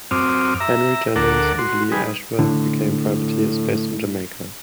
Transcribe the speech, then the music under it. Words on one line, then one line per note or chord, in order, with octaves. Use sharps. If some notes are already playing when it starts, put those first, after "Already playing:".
Henry Jennings and Leigh Ashworth became privateers based in Jamaica.
F#2 C4 D6 D#6 F6
E5 A#5
D2 A4 A#4 F#5 D6
F#4 C6
G3 D#4 G#4 B4
A2 D3